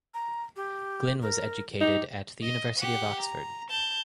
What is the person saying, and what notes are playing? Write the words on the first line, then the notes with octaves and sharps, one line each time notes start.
Glynne was educated at the University of Oxford.
A#5
G4
A#4
D#4 G4
D#5
G4 F#5
A#5
A5 G6